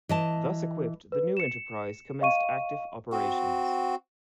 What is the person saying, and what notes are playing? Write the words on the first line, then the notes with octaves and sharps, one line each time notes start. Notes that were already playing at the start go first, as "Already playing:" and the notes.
Thus equipped the new enterprise commenced active operations.
E3 D#5 A5
B4
C#7 E7
D#5 F5 C#6 D#7
C4 F#4